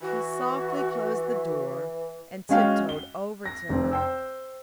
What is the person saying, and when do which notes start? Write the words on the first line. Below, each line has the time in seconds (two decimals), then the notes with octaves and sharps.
He softly closed the door and tiptoed over to her.
0.01 E3 F#4
2.49 G#3 C#4 F#4 F5 G5
2.89 G7
3.46 A#6
3.69 F1 C4
3.91 C5 G5 E6